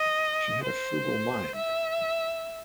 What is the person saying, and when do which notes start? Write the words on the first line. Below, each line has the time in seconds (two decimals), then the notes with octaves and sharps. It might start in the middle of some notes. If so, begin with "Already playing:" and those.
She had a frugal mind.
Already playing: D#5
0.64 C5
1.55 E5